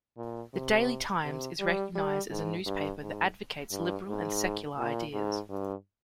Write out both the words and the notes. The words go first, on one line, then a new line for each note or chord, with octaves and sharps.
The "Daily Times" is recognized as a newspaper that advocates liberal and secular ideas.
A#2
C3
C3
G3
G3
G#2
G2
G#2
G2
G#2
A#2
G#2
G2